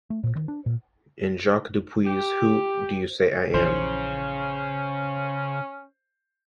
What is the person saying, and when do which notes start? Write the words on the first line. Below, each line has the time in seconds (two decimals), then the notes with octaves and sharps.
In Jacques Dupuis' Who Do You Say I Am?
0.10 A3
0.24 A#2
0.36 D#3
0.48 D4
0.66 A#2
2.06 G4
3.54 A#1 C#3 E3 F3 C#4 C5